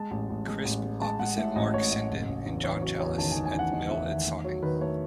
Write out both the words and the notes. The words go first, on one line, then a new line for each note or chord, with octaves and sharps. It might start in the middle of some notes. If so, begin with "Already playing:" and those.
Crisp, opposite Marc Sinden and John Challis, at the Mill at Sonning.
Already playing: G#3 A5
A1
A1
G#3
A1
G#3
G#3 A5
G#3 F#5
A2 E5
A1 D#5
A1 C#5
A1 D#5
F#1
F#1
E2
E2 C#5
F#3 C#5
E2 C#5
D#3 A5
D#3 G#5
G#5
E2 F#5
E2 D#5
E2 E5
D#3 E5
A3
F#3 C#5
D#3 B4
B4
A3 C#5